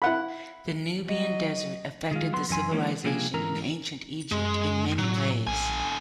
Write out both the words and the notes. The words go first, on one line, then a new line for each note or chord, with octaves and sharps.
The Nubian Desert affected the civilization in ancient Egypt in many ways.
E4 F#5 B5
F#3 D#5
D#3 G#3 F4
F#3 B3 C6
F#2 E3 G#5 C6
E3 G3 G#3 A#3 C#4
C3 F3 G3 A#3 D4 G#4
G#2 D3 E3 C#4 A#4 A#5
F#2 G#3
A2 F#3
A#1 D3 G#5